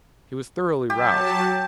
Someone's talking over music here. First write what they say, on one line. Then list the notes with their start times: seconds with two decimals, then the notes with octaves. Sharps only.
He was thoroughly roused.
0.90 F#3 G4 A5